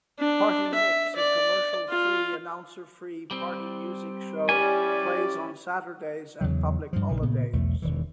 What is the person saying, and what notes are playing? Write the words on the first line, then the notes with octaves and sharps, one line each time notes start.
Party Mix, a commercial-free, announcer-free party music show, plays on Saturdays and public holidays.
D4
E5
D5
F4
G3 C4
G3 C#4 E4 D5 G#5
E2 C#3 F#3
G2 F3
A#1 C#3 F3
A#2 C#3 B3
B1 E2 A3
E1 D#3 E3